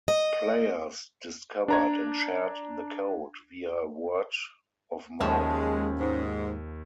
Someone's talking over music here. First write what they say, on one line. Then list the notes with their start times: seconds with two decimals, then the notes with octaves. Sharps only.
Players discovered and shared the code via word of mouth.
0.08 D#5
1.68 D4 A#5 G#6
5.20 D#2 F3 G#3 C#4 E5 A5
6.00 G#2